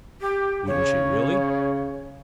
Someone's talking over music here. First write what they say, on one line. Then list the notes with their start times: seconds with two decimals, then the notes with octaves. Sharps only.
"Wouldn't she really?"
0.21 G4
0.67 C#3 C#5